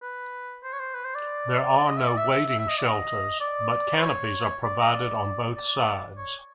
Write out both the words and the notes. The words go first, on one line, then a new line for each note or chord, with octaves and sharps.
There are no waiting shelters, but canopies are provided on both sides.
B4
C5
C#5
C5
B4
C5
D5
D5
D#5
E5
D5
E5
E5
E5
E5
D#5
D5
D#5
D5
C5
C#5
D5
D#5
D5
D5
C#5